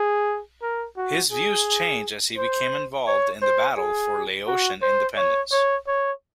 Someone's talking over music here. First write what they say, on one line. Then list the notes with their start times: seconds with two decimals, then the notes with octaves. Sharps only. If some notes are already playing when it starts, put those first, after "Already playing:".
His views changed as he became involved in the battle for Laotian independence.
Already playing: G#4
0.62 A#4
0.97 F#4
1.32 G#4
2.37 C5
3.07 C#5
3.42 C5
3.77 G#4
4.47 F#4
4.82 C5
5.17 C#5
5.52 C#5
5.87 C#5